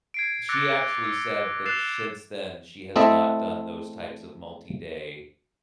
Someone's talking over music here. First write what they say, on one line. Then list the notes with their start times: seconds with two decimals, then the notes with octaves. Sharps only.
she actually said that sh ince then, she has not done those types of multi-day
0.14 G#6 C7 D7
0.49 D6 E6 F#6 A6 A#6 C#7
1.05 E6
1.65 E6 F#6 A6 C7 E7 F7
2.96 A3 C4 E4 A4 D#5 E5